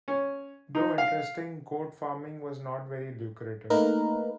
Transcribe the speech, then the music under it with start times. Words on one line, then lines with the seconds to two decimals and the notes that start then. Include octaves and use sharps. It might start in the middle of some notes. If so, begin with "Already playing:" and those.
Though interesting, goat farming was not very lucrative.
0.08 C#4
0.75 D#4
0.98 F5
3.70 A3 A#3 D#4 A#4 B4